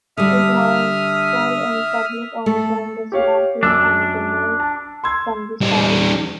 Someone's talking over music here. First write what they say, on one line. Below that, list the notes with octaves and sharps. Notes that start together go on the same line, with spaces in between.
It was sold in a public auction, dismantled and removed from the site.
D3 G3 E5 D#6 F6
A3 A4
G4 C#5 F5
F#2 D4 E6
A5
C6 E6 G#6
G3 D#4